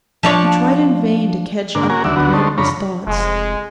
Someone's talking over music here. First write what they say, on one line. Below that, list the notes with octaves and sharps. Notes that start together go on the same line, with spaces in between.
He tried in vain to catch up the thread of his thoughts.
F3 D4 C#5
G#2 D3 A#3 D4
A#3 C#4 F#4 A#4 G#5
D#2 D3 F#4 D5 E5
D2 D3 F#3 B3 F#4
D3 C#4 D#4 A4 C5
F2 C#3 D4 C#5 A#5 B5
F1 G#3